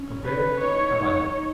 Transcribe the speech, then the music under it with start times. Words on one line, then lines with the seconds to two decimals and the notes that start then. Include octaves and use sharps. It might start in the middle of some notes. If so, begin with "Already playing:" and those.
Compare ABANDON.
Already playing: C#4
0.25 B4
0.61 D#4 C#5